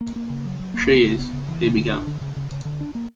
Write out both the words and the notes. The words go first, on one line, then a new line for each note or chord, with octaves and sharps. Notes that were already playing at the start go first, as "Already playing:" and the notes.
"She is -" he began.
A#3
A#3
C#3
F#3
F#3
A#3
C#3
C#3
B3
C#3
E3
C#3
D3
D4
D3
C#3
C#3
C#3
D3
D4
A#3